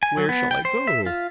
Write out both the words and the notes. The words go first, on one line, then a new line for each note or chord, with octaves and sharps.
Where shall I go?
G#5
F#3
B3
G5
C5
E5
F4